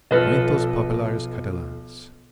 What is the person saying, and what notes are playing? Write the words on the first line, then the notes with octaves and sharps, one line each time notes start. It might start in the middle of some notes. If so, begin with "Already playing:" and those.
Cuentos Populars Catalans.
B1 F3 A4 B4 D#5 F6